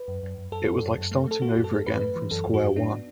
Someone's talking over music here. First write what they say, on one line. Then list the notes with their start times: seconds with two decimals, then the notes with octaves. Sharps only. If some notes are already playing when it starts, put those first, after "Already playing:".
It was like starting over again from square one.
Already playing: B4
0.08 F#2
0.23 F#2
0.38 F#2
0.52 F#2 A4
0.67 F#2
0.82 F#2
0.98 F#2
1.11 A3
1.27 A3 A4
1.42 A3 F#4
1.57 F#2
1.64 A4
1.71 A3
1.86 F#2 B4
2.02 A3
2.16 E3
2.31 F#2 A4
2.47 F#2
2.54 F#4
2.60 F#2
2.76 B3 D4